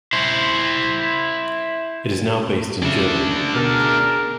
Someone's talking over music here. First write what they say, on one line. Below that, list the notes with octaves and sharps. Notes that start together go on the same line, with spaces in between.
It is now based in Germany.
E4 C5
C#3 D4 E5
B2 G#4 A#4